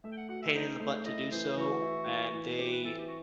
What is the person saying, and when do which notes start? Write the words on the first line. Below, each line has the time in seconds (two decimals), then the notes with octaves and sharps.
pain in the butt to do so, and they
0.04 A3 E5
0.12 G5
0.17 F#5
0.29 F#4 F#5
0.42 E5
0.55 D#4 C5
0.80 A3 C5
1.06 E4 D#5
1.31 E3 C5
1.57 E3 F#4
1.82 E4
2.07 E3
2.34 E3
2.58 C4 G4
2.72 B4
2.84 E3 A4
2.98 G4
3.07 F#4